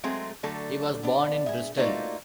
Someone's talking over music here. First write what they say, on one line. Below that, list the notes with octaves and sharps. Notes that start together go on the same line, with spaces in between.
He was born in Bristol.
F#3 G#3 A3 C4 G#4
D3 F#3 A3 A4
B3 D4
G#4 E5
A3 A#3 D#4 F4 F#4 D5